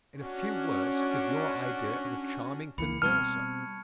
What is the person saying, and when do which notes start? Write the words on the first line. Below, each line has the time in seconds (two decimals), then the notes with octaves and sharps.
In a few words give your idea of a charming converser.
0.20 C#4 D4 F#4
2.78 C#2 E3 A#3 B5 C#7
3.02 B2 G3 C4 A5 C#6 F6 G#6